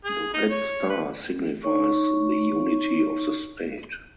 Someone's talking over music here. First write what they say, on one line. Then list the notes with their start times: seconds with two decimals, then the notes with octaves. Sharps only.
The red star signifies the unity of the state.
0.05 G#4
0.34 D#4
0.50 C#5
0.90 B4
1.63 D#4 C#5 C#6